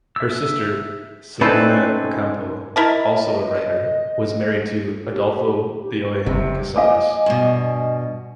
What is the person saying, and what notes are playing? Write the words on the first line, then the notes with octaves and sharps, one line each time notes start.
Her sister, Silvina Ocampo, also a writer, was married to Adolfo Bioy Casares.
E5 E6
A3 C4 C#4 D#4 B4 C5 D5
E4 A#4 D#5 A5
G4
G4
F#1 E2 G2 C3 C4
D#5 G#5 D6
G2 B2